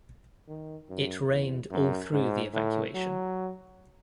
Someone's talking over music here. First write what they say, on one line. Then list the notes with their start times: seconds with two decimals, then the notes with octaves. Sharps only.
It rained all through the evacuation.
0.48 D#3
0.89 F#2
1.30 E2
1.71 F#2
2.12 G#2
2.53 A2
2.95 F#3